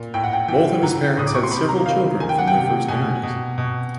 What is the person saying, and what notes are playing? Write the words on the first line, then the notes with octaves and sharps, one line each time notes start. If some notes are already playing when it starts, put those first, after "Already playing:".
Both of his parents had several children from their first marriages.
Already playing: A#2
A2 G5
F#5
G5
E3 G5
E3 A#5
A2 D#6
D6
C#6
C6
C3 B5
A#5
D#3 F5
D#3 G#5
G5
F#5
G5
C3
B2 G#5
B2
B2